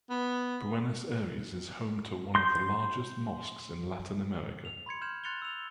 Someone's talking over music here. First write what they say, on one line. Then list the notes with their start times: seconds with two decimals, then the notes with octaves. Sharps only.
Buenos Aires is home to one of the largest mosques in Latin America.
0.10 B3
2.35 C6 G6
4.65 F7
4.86 B5 C6 G#6 C#7
5.01 C6 F6 G6 G#6 C#7 E7
5.24 C6 F#6 A6 C#7 F7 G7
5.42 E6 F7